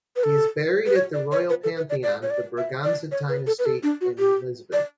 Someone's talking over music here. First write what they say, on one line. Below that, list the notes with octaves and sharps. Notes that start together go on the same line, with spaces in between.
He is buried at the Royal Pantheon of the Braganza Dynasty in Lisbon.
B4
A4
B4
C#5
D5
C#5
B4
A4
B4
D5
D5
C#5
D5
E5
D5
C#5
B4
A4
B4
A4
D4
F#4
G4
D5